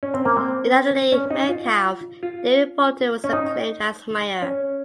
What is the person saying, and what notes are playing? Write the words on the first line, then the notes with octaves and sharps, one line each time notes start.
In Adelaide Metcalfe, David Bolton was acclaimed as mayor.
C#4
C4
A#3
C4
C#4
D#4
F4
F4
C#4
D#4
C#4